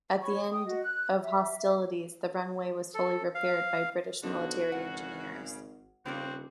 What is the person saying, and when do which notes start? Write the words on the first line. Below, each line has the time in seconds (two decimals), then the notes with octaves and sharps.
At the end of hostilities the runway was fully repaired by British military engineers.
0.21 C#5 B5 C#6
0.51 G5 D#6
0.66 F#4 D#5
0.81 F#6
1.20 E5
2.94 A4
3.35 F5
4.23 B1 D3 F3 D4 F#4
4.72 G#1 C#3 F#5
6.06 D#1 C#3 A#3 C4 D4 F#4